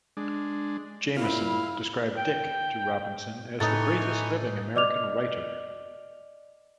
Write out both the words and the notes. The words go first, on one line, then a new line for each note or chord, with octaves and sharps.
Jameson described Dick to Robinson as the greatest living American writer.
G#3 D4
A#2 E4 F5
G5
A2 E3 D#4 C#5 G#5 A5
D5 D#5 D6 F6 F7